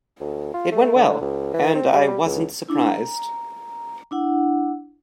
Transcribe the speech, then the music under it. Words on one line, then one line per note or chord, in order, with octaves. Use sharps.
It went well, and I wasn't surprised.
D2
F4
A3
D3
C#2
E3
C4
G3
C#2
D4 E4
A#5
D4 E4 F#5